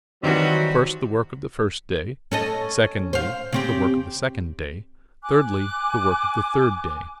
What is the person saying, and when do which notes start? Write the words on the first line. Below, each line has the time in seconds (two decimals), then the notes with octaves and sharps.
First, the work of the first day; secondly, the work of the second day; thirdly the work of the third day.
0.23 D#3 E3 F#3 G3 C4 F#4
2.32 C#4 A4 D#5
3.13 C5 F5
3.52 C#3 C4 G4
5.22 G#5 D6 F#6